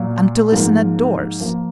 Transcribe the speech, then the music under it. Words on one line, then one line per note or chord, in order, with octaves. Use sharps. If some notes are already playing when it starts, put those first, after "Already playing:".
"And to listen at doors!"
Already playing: A#2 F#3 A#3 F4
G#2 F3 A#3 F4 A#4
F3 A#3 F4